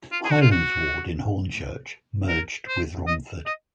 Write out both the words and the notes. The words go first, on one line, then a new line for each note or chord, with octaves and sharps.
Hylands ward in Hornchurch merged with Romford.
F4
G#4
F#4
F4
F#4
A#4
C5
D#5
D#5